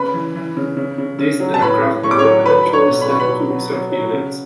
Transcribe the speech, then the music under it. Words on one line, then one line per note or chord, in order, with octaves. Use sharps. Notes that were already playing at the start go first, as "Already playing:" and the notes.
These aircraft were eventually sent to reserve units.
Already playing: C#3 B4 B5
E3
E3
C#3
C#3
C#3
C#3
F#3
A5
A2 B4 B5
A2
A2 C#6
D6
F#3 C#5 C#6
F#3 B4 B5
F#3 B5
C#5 C#6
B2
B5
B2 C#6
B4 B5
F#3
F#3
F#3
F#3
C#3